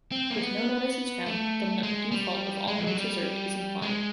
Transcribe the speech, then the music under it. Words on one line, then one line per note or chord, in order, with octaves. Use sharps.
If no notice is found, then the default of "All rights reserved" is implied.
C4
A#3
B3
A3
G#3
G3
G#3
F3
F#3
G3
G#3